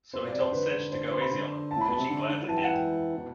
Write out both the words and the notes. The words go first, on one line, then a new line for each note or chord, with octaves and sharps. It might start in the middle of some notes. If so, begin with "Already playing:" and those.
So he told Sedg to go easy on them, which he gladly did.
B2 C5
D5
C3
C5
D3 B4
C5
B4
C5
C3 B5
D3
A5
A2 B5
B2 A5
C3
D3
D3
F#3
E3 A5
G5
F#5
G5
B2